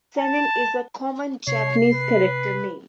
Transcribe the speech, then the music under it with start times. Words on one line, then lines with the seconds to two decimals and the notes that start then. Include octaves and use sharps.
"Sennin" is a common Japanese character name.
0.19 A5
1.47 C3 C#5 C7
1.93 B4